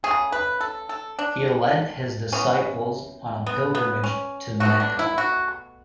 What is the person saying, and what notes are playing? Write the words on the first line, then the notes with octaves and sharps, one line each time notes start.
He led his disciples on a pilgrimage to Mecca.
C#3 F#3 A3 G#4
B4
A4
A4
D4
E3 B3 C#4
B3
B3
C#4
B2 F#3 A3 F#4
D4
E4
F#4